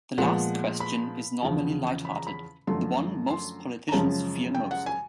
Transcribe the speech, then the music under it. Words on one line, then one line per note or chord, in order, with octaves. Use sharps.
The last question is normally light hearted - the one most politicians fear most.
A#2 F3 G#3 B3 F#5
B5
E2 C#3 F3
B5
A#5
B5
F#2 D3 F3 A3 C6
C6
A#5
F#2 C#3 F3 G#3 C#4 A5
G5
F#5
G#5